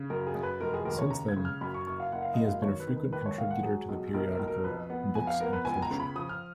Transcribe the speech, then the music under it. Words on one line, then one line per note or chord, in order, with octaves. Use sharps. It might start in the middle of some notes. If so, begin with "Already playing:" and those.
Since then, he has been a frequent contributor to the periodical "Books and Culture".
Already playing: C#3
F#2 A#4
G#4
F#2
B4
F1 A#4
G#4
D#2 A#4
C#5
C#3 A#5
G#6
C#3
F6
F#2 B5
C#6
F#1 C#6
F5
F#1 F#5
F5
F#2 D#5
F5
D#3 C#5
B4
D#3
B4
D#2 B4
C#5
D#2 F5
F#5
F#3 G#4
B1
B1 A#4
A#4
B1
A#4
F2 B4
B3
F2 G#5
F5
B3 A#4
B4
C#2 G#5
A#5
C#3
B5
F3 D#6
F6